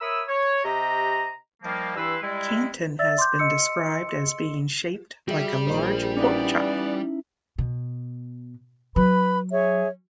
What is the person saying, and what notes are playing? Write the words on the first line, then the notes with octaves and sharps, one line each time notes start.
Kanton has been described as being shaped like a large pork chop.
A#4 C#5 E5 B5 D#6 E6
C#5
C3 G4 D#5 A#5
D#3 F3 G3 A#3
G2 E3 E4 B4 C6 E6
G3 G#3 E4
D5 E5 E6 A6
C6 D6 G6
D#5 C6 E6 C#7
G3 F#4 G#4 E5
A#1 G#4 C5
E3 B3 C#4 D#4 E4 D5
B2
F#3 B4 B5
G#4 C#5 E5